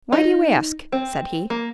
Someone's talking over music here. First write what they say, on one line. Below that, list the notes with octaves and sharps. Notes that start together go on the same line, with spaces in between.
"Why do you ask!" said he.
D#4
C4
A#3